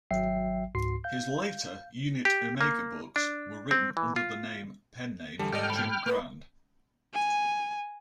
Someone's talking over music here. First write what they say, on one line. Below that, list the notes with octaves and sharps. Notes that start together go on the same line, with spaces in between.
His later "Unit Omega" books were written under the name pen name Jim Grand.
G#1 F#3 E5 G5 C7
C#2 G#2 F#4 C6 C7
F5 G6
G4
A#3
D4
C4
E3
F4
E2 D3 G3 A4
G#2 G3 G4 A4 D5 D#5 G5 F6
B5
A#3 B4
G#5